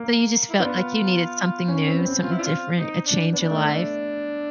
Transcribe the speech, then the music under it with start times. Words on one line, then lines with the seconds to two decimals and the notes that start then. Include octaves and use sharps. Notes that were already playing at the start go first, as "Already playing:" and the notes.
So you just felt like you needed something new, something different, a change in life?
Already playing: A#3
0.50 E4
0.60 B3 D4 F4
1.68 C#4
1.87 C4
1.98 B3
2.05 C4
2.24 F4
2.31 E4
2.38 D4 F4
2.78 D#4
3.06 D4
3.33 B3 D4
3.51 A3
3.70 A3